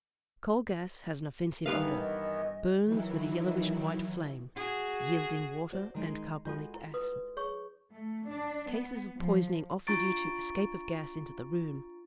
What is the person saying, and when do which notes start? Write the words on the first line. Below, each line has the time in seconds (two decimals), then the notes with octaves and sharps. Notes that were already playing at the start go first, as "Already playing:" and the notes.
Coal gas has an offensive odour, burns with a yellowish-white flame, yielding water and carbonic acid. Cases of poisoning often due to escape of gas into the room.
1.66 G2 D#3 E3 B3 D#4 B4 F5
1.98 D#5
2.84 D#3 E3 F#3 E4
4.56 F#4 G#4
5.72 F#4 C5 D5
5.95 D#3 G#3 D#4
6.45 G#3 D4 F4 F#4 A4
6.74 E4
6.94 B4 D#6
7.37 G#4 C#5 C#6
7.91 A3
8.28 D4
8.68 B3
9.18 F3
9.87 D4 F4 A#5 C#6 A6 D7